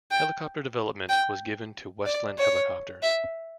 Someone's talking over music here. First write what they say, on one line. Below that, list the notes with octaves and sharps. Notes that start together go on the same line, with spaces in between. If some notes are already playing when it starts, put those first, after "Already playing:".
Helicopter development was given to Westland Helicopters.
G5
G5
D5
C#5
E5